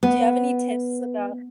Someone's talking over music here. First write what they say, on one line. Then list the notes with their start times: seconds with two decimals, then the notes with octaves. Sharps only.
do you have any tips about
0.03 B3